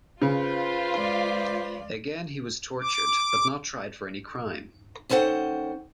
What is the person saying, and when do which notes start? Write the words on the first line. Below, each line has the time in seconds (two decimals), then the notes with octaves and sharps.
Again he was tortured but not tried for any crime.
0.22 C#3 F4 B4 C5
0.93 G#3 D5
2.81 D6
5.09 D#2 C#4 A4 C5 F#5 G5